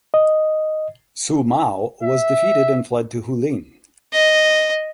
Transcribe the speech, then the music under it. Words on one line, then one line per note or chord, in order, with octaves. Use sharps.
Su Mao was defeated and fled to Huling.
D#5
E5
D#5